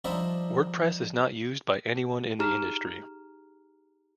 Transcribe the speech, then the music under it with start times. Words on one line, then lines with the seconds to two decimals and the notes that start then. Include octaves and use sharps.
Wordpress is not used by anyone in the industry.
0.04 F3 G3 D4 D#4 C5 E5
2.39 D#4 G4 G#4 A#5 F6 E7